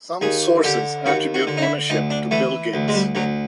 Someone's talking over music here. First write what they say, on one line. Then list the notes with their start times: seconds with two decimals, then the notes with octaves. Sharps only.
Some sources attribute ownership to Bill Gates.
0.21 D#2 G#4
0.64 D3 G4
1.06 D#2 F#4
1.34 F#4
1.47 D3
1.57 D#4
1.62 E4
1.90 D2 D#4
2.10 D4
2.31 E3 A3
2.74 D2
2.88 G#3
2.94 G3
3.15 D2 F#3